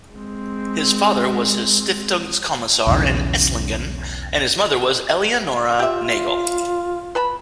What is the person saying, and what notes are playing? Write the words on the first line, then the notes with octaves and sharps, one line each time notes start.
His father was a "Stiftungs-Commissar" in Esslingen and his mother was Eleonora Nagel.
G#3 C4
B1 E2 G2 C#3
F4 G4 E5
B4 A5 B5